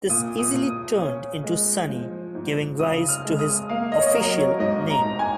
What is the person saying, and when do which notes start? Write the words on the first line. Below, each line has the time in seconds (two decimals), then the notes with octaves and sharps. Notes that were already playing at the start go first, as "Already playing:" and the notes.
This easily turned into Sonny, giving rise to his "official" name.
0.10 A#2 D#6
0.38 D#6
0.54 A#2
0.70 D#6
0.99 C#4
1.44 G#3
1.89 F3
2.35 G#2
2.79 C#3 D#6
3.09 F6
3.24 G#3
3.39 D#6
3.69 A#3 F5
3.92 D#5
4.00 C#5
4.07 D#5
4.14 F#3 A#4
4.37 C#5
4.59 G#2 D#5
4.90 A#5
5.04 G#2
5.19 G#5